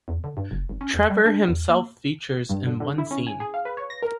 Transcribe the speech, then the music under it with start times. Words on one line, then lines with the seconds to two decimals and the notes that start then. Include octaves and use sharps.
Trevor himself features in one scene.
0.08 E2
0.24 D3
0.37 G2
0.51 F#1
0.69 G#1
0.81 C#4
0.94 E2
1.10 G3
1.26 D4
1.48 E2
1.69 A#3
2.49 G2
2.67 D3
2.80 D3
2.98 E4
3.11 C#4
3.27 G#5
3.40 G#4
3.54 F5
3.65 B4
3.77 C#5
3.90 A#6
4.02 A#4